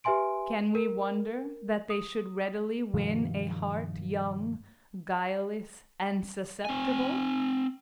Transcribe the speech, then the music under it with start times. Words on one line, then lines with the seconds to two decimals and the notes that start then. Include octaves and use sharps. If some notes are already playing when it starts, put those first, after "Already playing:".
Can we wonder that they should readily win a heart young, guileless, and susceptible?
0.04 G4 B4 E5 G#5 C6 D7
0.75 A#4
1.90 D#6
2.94 G2 B2 D#3 F3
6.65 C4 G#5